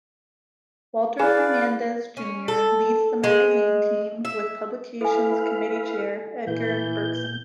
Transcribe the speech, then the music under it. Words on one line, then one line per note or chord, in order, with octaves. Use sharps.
Walter Fernandez, Junior leads the magazine's team, with publications committee chair Edgar Burcksen.
E4 G#4 B4 D5 F5 G#5
C#4
A4
G#3
E5
E4 A4 B4 F5 G#5
A#2 E3 G6